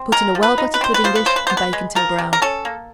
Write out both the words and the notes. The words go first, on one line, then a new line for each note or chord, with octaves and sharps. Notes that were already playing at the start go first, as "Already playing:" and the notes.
Put in a well-buttered pudding-dish and bake until brown.
Already playing: C4
G#3 A#4
F3
B4
D#4
B4
C4 C5
B4
F3 C5
B4
C#3 C5
B4
B3 C5
B4
G#3
F3 A#4
C3
A#4
C#4 A4
A#3